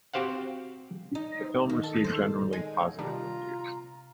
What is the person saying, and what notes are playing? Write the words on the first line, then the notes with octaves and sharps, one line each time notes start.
The film received generally positive reviews.
C4 F#4 G4 C5 F5 F#5
D#4
D#3
A4
C5
G#3
C3 D#3 G3 D4 F4 A#5